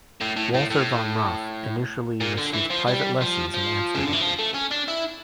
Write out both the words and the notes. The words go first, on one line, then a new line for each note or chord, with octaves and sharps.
Walther vom Rath initially received private lessons in Amsterdam.
A2
A2
A2
A2
A#2
D3
E3
F3
G3
F3
F3
C#3
D3
E3
F3
A3
C#4
D4
E4